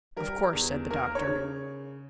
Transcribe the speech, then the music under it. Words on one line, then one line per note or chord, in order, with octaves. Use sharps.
"Of course," said the doctor.
G3 A#4
E2
A#3 A#4
C#5
C#3